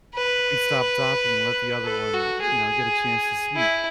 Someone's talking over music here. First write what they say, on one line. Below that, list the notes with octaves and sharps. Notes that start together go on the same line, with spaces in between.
we stop talking and let the other one, you know, get a chance to speak.
B4
A4
F#4
G#4
E4